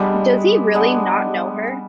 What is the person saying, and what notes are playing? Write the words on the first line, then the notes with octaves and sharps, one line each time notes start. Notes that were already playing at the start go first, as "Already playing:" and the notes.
Does he really not know her.
Already playing: G3 G#3 B3 D4
G#3 B3 D4